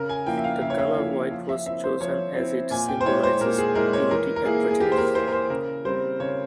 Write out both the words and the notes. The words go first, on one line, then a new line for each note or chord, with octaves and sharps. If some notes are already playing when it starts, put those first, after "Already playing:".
The colour white was chosen as it symbolises purity and virginity.
Already playing: C#3 A#4
G#5
F3 A#3 E4 G5
E5
F5
C#3 E5
C#5
E5
F3 A#3 E4
F3
E5
C4 E4 E5
C5
F3 C#5
C4 E4
A#2 G#5
G5
C5
G#3 E4 C#5
C5
A#2 A#4
G#4
G#3 E4 A#4
C#5
E3 A#4
A#4
A#3 E4 G#4
G#4
E3 G4
C5
A#4
A#3 E4 C5
A#4
C5
C#3 A#4
G3 C4 C5
C#3 C#5